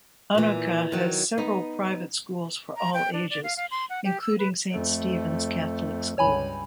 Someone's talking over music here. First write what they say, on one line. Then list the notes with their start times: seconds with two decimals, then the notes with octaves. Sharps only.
Anoka has several private schools for all ages, including Saint Stephens Catholic School.
0.35 A#2 E3
0.92 D#3 F#3
1.38 B3 D#4
2.76 A#5
2.94 G5
3.13 D4
3.30 D5
3.44 F5
3.57 F5
3.71 C6
3.90 F#5
4.05 G4
4.21 E6
4.39 B4
4.71 F2 A3
6.18 C#2 G2 C#5 G#5 B5